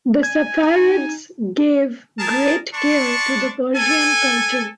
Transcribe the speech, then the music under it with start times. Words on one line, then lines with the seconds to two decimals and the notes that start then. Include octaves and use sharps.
The Saffarids gave great care to the Persian culture.
0.23 G#5 G#6
0.63 D#4
2.19 G#4 A#4 A5
2.73 D4 A5 C6 C#6
3.75 A4 G#5